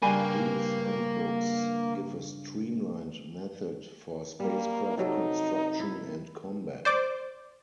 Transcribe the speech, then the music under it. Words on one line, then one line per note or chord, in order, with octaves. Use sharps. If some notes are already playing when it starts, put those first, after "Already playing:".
These handbooks give a streamlined method for spacecraft construction and combat.
G2 C#3 G3 A#3 D5 G#5 B5
G3 A#3
C3 F#3 D#4 A4
E4
C5 D5 D6